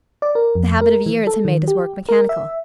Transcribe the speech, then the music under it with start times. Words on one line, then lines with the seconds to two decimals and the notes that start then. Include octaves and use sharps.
The habit of years had made his work mechanical.
0.22 D5
0.35 A#4
0.55 F2
0.81 A#4
1.06 E3
1.27 A4
1.45 D#3
1.68 G4
2.09 A#4
2.29 E5